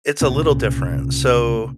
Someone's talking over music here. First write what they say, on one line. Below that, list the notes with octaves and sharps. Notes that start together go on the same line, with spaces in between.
It's a little different, so
C2 A#2 C#3